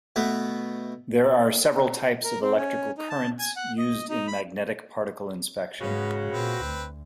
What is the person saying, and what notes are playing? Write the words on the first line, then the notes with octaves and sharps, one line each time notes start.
There are several types of electrical currents used in magnetic particle inspection.
B2 A3 B3
A#4
C4
C#4
D#4
A5
G#5
F#5
D#5
D#4
B5
G#2 C#3 F#4 B4
A#2 C4 B4
D2